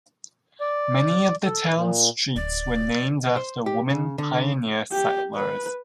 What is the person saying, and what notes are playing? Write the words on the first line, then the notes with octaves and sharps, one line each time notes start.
Many of the town's streets were named after women pioneer settlers.
D5
A4
A#2
D1 D5
C5
G4
C#3
D3
G4
B4